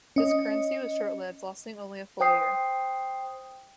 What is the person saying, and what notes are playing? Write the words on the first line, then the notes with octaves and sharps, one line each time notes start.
This currency was short-lived, lasting only a full year.
C#4 D#5
C5 G5 D#6 C7